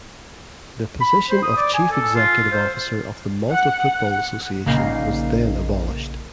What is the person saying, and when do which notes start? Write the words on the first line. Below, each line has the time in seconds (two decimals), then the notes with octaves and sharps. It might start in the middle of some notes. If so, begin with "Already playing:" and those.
The position of chief executive officer of the Malta Football Association was then abolished.
1.01 B5
1.30 C5
1.43 D#6
1.57 D5
1.74 G#5
1.91 A4
2.15 F4
2.52 C5
3.51 F#5
4.66 A#1 C#3 A#3 D#4 C7